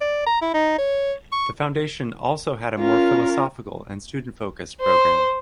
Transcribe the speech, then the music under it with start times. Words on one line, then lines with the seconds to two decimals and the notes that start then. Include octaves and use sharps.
The Foundation also had a more philosophical and student-focused program.
0.01 D5
0.26 A#5
0.42 E4
0.54 D#4
0.78 C#5
1.32 C#6
2.80 C#4 F4 A#4
4.81 C5